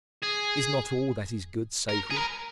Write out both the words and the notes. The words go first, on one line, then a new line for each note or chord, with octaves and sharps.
Is not all that is good sacred?
G#4
A#4
G#4
A#4